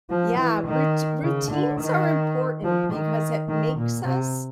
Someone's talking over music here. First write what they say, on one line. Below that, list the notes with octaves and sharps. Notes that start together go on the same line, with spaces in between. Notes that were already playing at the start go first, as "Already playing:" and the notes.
Yeah, rout routines are important because it makes us,
F3
E3
D#3
C#3
D3
D#3
F3
D#3
D#3
A#2
C3